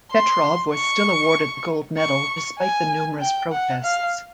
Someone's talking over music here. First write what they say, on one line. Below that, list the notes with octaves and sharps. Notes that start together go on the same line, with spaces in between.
Petrov was still awarded the gold medal despite the numerous protests.
C6
C#6
C#6
G#5
G5
F#5
F5